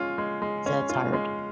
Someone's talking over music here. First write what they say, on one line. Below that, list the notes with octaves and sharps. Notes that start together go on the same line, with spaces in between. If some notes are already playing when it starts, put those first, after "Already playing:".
‘cause that's hard.
Already playing: G#3 C#4 F4
G#3
G#3
C#4
F4
G#3